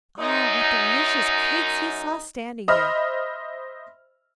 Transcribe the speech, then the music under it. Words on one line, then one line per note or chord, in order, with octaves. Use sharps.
Ah, what delicious cakes he saw standing there!
F#2 D#4
C5 D#5 E5 B5 F6